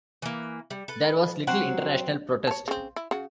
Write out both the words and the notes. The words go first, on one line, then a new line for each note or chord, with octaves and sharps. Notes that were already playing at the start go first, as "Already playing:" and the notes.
There was little international protest.
E3 A#3
G3
A4 B4
F#3 C4 F#5
C#5 A5
C#3 C4
E4
C#3 F#4